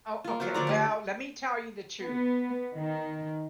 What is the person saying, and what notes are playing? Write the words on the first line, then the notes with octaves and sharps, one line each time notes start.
Oh, okay. Well, let me tell you the truth.
A#3 F4
F#3 F4 F#4 C5
D3 F3 D5 A#5
A3 G4
B3
D#3